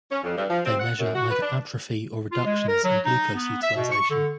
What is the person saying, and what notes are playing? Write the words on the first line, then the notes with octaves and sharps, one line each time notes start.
They measure either atrophy or reductions in glucose utilization.
C#4
F2
G2
F3
C4
F#5
F#2
F#4
B4
D4
F4
G#3
A#4
F#3
D#4
B3
E5
B2
C#6
D3